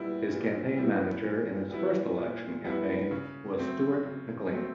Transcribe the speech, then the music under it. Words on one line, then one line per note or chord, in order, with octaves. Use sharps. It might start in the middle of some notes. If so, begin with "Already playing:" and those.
His campaign manager in his first election campaign was Stuart McLean.
Already playing: A#2 G3 B3 E4
A#2
G3 B3 E4
A#2
G3 B3 E4
A#2
G3 B3 E4
C#3
F#3 A3 C4
C#3
F#3 A3 C4